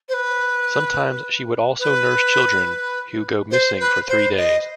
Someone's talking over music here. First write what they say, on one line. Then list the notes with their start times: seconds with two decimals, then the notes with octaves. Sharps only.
Sometimes she would also nurse children who go missing for three days.
0.09 C5
0.14 B4
1.79 B4
3.51 C5
3.80 B4
4.08 C5
4.37 D#5